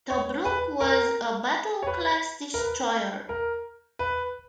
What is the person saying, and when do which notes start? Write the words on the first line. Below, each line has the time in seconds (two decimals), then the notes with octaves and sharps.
"Tobruk" was a Battle class destroyer.
0.10 C#5
0.45 B4
0.81 A#4
1.82 C#5
1.87 B4
2.54 A#4
2.58 B4
3.29 A#4
3.99 B4